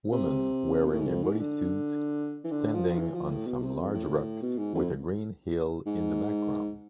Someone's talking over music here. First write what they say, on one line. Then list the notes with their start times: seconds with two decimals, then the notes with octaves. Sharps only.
Woman wearing a bodysuit standing on some large rocks with a green hill in the background.
0.11 C3
0.85 B2
0.92 A2
1.00 G#2
1.07 F2
1.23 G#2
1.39 D3
2.44 E3
2.51 D3
2.75 F3
2.98 E3
3.15 F3
3.31 A2
3.47 B2
3.62 C3
3.79 F2
3.94 A2
4.42 B2
4.58 G#2
4.74 F2
5.86 G#2